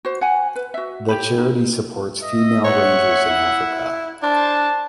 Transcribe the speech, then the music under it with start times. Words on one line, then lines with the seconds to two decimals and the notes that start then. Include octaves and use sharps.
The charity supports female rangers in Africa.
0.05 F#4 C5
0.21 F#5 G#5
0.56 B4
0.74 F#4 E5
1.09 G4 B5
1.38 D#4
2.22 D#5 E5
2.64 C#5 E5 F#5
3.30 E4
4.23 D4 C5 A5